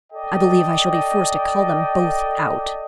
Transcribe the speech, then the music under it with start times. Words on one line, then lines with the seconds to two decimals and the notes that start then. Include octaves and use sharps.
I believe I shall be forced to call them both out.
0.12 A4 D5 D#5 G5